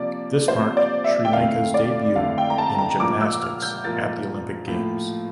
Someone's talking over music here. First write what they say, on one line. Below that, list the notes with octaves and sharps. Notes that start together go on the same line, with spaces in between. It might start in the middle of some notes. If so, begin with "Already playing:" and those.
This marked Sri Lanka’s debut in gymnastics at the Olympic Games.
Already playing: C3 F3 A#3 D5
C3 F3 A#3 C5
D5
E5
G5
F2 D3 A3 E4 A4 F5
D5
F2 D3 A3 E4 A4 F5
G5
A#5
A5
A#5
A#2 F3 A#3 F4 A#4 D6
E6
F6
G6
A#2 F3 A#3 F4 A#4 A6
A2 F3 A#3 F4